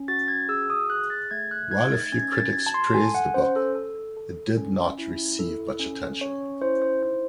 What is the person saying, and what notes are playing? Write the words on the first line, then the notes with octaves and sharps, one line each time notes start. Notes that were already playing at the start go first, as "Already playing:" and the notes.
While a few critics praised the book, it did not receive much attention.
Already playing: C#4
F#4 A6
G#6
G#4 E6
D#6
G#4 F#6
A6
A3 G#6
F#6
D#4 G#6
A6
C#4 G#6
A6
F#4 G#6
A5
C6
A4 G#5
F#5
C#4 C5
A4
A4
A4
C#4
E4
A4
C#4
C#4 C#5
C#5
E4 C5
C5
D#4 C5